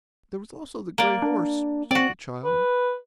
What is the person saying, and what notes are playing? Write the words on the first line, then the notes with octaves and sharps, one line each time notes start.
"There was also the grey horse," said the child.
A#3 D5
D4
C4 F#4 D5
B4